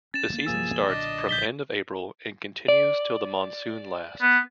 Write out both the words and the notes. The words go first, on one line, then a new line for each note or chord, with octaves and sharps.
The season starts from end of April, and continues till the monsoon lasts.
C#4 A6 E7
D2 F#3 A#3
A#1 G2 C3 F3 A#3 G#4 E6
B1 A#2 D3 D4 D#5 D#6
A#1 G6 B6 G7
D5
B3